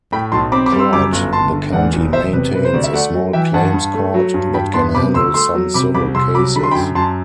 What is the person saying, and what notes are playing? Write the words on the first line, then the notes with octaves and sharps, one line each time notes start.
Court: The county maintains a small claims court that can handle some civil cases.
A2 G5 B5
B1 A5 C6
C4 B5 D6
B5 D6
G3
C6 E6
F#2 B5 D6
G1
G1 A5 C6
D3
E2 D5 F#5
E1
E1 C5 E5
C3 B4
C3 B4
C5
D2 D5
E5
A3 D5 F#5
F#3
E3 E5 G5
G2 F#5 A5
G2
A3
F#3
G2
G2 G5 B5
B3 A5 C6
C3 B5 D6
D2 C6 E6
A3 C6 E6
F#3
C3 B5 D6
C2 B5 D6
C2 C6 E6
F#3 B5 D6
D3 B5
C6
G5 B5
F#2
F#2 A5 C6